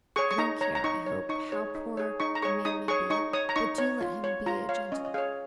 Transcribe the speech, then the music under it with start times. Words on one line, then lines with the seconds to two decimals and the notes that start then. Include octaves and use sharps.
I don't care, I hope, how poor a man may be, but do let him be a gentleman.
0.16 G#4 C#5 C#6
0.31 C#6
0.38 D#4 A#5
0.61 C#5 A#5
0.75 A#5
0.84 D#4 C#6
1.06 C#5
1.29 D#4 C#6
1.52 G#4 C#5
1.75 D#4
1.97 G#4 C#5
2.20 D#4 C#6
2.35 A#5
2.42 G#4 C#5 C#6
2.65 D#4 D#6
2.88 G#4 C#5 C#6
3.10 D#4 C#6
3.33 C#5 D#6
3.49 A#5
3.56 D#4 C#6
3.78 C#5
4.01 F4
4.24 C#5
4.46 F4 A#5
4.69 C#5 F5
4.92 C#4 D#5
5.05 D#5
5.14 G#4 C#5 F5